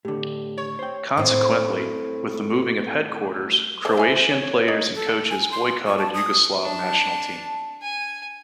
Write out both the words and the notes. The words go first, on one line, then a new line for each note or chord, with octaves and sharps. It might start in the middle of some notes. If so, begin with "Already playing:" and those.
Consequently, with the moving of headquarters, Croatian players and coaches boycotted Yugoslav national team.
A2 D3 G4
C#5
C5 G5
A2 C4
D3 E3 D4 C5
E4 G#5
C#5
D#4
A4
G#5
C6
C#6
A5
D#6
D4 A5
G#5